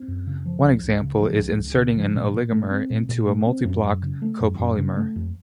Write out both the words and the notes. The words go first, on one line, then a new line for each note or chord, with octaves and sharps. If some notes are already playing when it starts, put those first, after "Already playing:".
One example is inserting an oligomer into a multiblock copolymer.
Already playing: C4
F#2
C#3
F3
C#2
C#2
C#3
F3
C#2
C#2
C#3
F3
A#2
A#2
A3
C4
A#2
A#2
A3
C4
F#2
F#2
C#3
A3
F#2
F#2
C#3
A3
F2